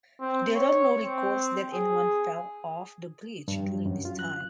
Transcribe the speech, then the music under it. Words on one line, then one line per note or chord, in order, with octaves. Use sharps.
There are no records that anyone fell off the bridge during this time.
C4
C#5
C4
G#4
G2
F#2
F4
F#6